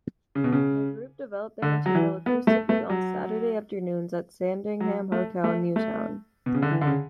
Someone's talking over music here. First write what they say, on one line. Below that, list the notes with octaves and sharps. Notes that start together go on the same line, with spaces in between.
The group developed their material acoustically on Saturday afternoons at Sandringham Hotel, Newtown.
C#3
B2
C#3
D3
F#3
E3
B3
A3
A3
F#3
F#3
A3
A3
A3
B2
C#3
D3
E3
D3
C#3